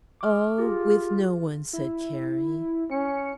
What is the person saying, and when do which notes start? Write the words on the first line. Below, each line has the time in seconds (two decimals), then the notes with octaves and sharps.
"Oh, with no one," said Carrie.
0.21 D6 F6
0.58 F4 G4 G#4
1.73 E4
2.91 C#4 C#7